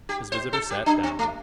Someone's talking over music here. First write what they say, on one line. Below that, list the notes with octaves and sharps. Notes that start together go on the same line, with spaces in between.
His visitor sat down.
G4
C5
A4
G4
D4
C4
A3